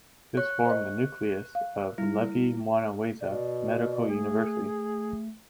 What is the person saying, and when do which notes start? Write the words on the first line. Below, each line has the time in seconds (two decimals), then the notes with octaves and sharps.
This formed the nucleus of Levy Mwanawasa Medical University.
0.37 C#5 C#6 F#6
0.66 C5 D#5
1.55 F5
1.98 G3 E4
3.21 B2 D5
4.09 A3 G#4